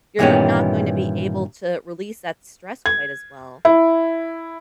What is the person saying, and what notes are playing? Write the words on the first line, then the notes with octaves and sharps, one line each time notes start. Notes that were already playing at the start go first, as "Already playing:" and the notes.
you're not going to be able to release that stress quite as well
G2 A#2 D#3 E3 B3 C#4
G#6
E4